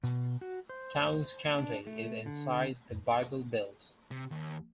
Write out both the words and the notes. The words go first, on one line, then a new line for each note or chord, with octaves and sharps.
Towns County is inside the Bible Belt.
B2
F#4
C5
D4
A3
D3
C3
D#2